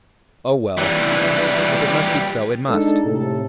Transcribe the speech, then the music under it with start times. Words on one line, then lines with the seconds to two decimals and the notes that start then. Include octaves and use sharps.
"Oh, well, if it must be so, it must!"
0.78 E3 G3
2.69 G#3 D4 D#4 A4
3.04 A2 C3 A4